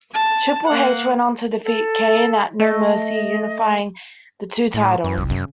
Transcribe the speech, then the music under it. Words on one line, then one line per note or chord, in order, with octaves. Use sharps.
Triple H went on to defeat Kane at No Mercy, unifying the two titles.
A5
A#3 F#5
A4
A3 D#5
A2
F#2
F1 C2
F#2 C#3